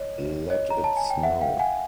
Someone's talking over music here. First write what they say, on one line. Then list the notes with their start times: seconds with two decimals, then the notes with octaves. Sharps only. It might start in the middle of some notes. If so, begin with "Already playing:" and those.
Let it snow.
Already playing: C#5 D#5
0.50 C#5 D#5
0.70 A#5
0.84 A5
0.97 G#5
1.10 G5
1.23 E5 F#5
1.41 F5 G5
1.59 F#5 G#5